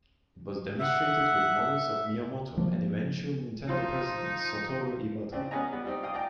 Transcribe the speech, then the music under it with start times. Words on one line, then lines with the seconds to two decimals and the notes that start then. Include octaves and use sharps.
It was demonstrated with models of Miyamoto and eventual Nintendo president Satoru Iwata.
0.79 E5 F#5
2.57 F3 A#3
3.68 F3 D#4 F4 C5
5.32 C#3 C4 D4
5.51 B3 C#4 G#4 D#5 G#5 A#5
5.72 G3 B3
5.85 G3 C4 D#4
6.02 D5 F5 G5 D#6
6.14 D5 D#5 G5 A#5